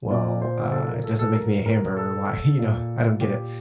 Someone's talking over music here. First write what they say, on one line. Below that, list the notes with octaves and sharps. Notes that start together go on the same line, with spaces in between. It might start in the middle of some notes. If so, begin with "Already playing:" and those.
"Well, uh, it doesn't make me a hamburger, why, you know?" I don't get it,
A#2 D5
C5
A4
A#4
A4
A4
A#4
A#4
A4
A#2
G4